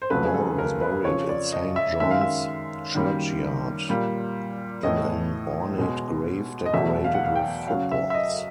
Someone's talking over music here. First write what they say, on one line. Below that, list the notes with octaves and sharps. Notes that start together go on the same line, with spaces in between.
Ball was buried in Saint John's churchyard in an ornate grave decorated with footballs.
C5
F2 C#3 F#3 A3 B4
G#4
A4
A#4
B4
F2 C#3 F3 C#5
D5
D#5
E5
F#2 D#3 G#3 E5
F5
E5
F#2 D#3 G3 A#3
A#2 G3 A#3
A2 E3 A3 D#5
B2 G#3
D#5
E2 B2 F#3 A3 E5
F5
F#5
F5
G5
F#2 C#3 F#3 F5
E5
E5
D#5